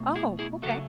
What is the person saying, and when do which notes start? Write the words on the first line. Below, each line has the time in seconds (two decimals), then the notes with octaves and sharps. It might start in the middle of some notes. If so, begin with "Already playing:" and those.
Oh, okay.
Already playing: B2 A3
0.16 E4 G#4
0.39 E4 G#4
0.62 C#3 F#3 A3 F#4 A4